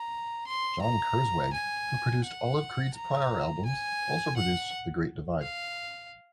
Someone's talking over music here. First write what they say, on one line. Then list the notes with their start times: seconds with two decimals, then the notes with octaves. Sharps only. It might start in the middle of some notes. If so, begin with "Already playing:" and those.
John Kurzweg, who produced all of Creed's prior albums, also produced "The Great Divide".
Already playing: A#5
0.47 C6
0.82 A#5
1.53 G#5
2.24 F#5
2.94 A#5
3.65 G#5
4.36 F#5
5.42 F5